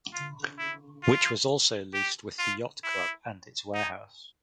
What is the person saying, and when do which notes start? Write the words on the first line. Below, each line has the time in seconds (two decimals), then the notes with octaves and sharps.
Which was also leased with the yacht club and its warehouse.
0.13 F4
0.59 E4
1.03 F4
1.94 G4
2.39 F4
2.84 E4
3.74 D#4